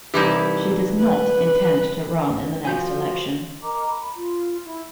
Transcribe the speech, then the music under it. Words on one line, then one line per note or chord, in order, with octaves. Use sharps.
She does not intend to run in the next election.
C2 E3 D#4 E4 G4
B4
F3 F#4 G#5 G6
A#4 D#5 A#5 D6
B5
F4
E4